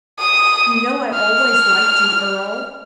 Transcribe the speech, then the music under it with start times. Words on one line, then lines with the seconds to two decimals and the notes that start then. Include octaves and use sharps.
"You know I always liked you, Earle."
0.19 D#6
1.15 F6